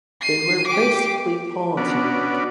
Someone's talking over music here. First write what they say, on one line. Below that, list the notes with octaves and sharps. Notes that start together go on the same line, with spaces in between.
They were basically partying.
C7 D#7
G4 D6
B3 C#4 D4 F#4 D5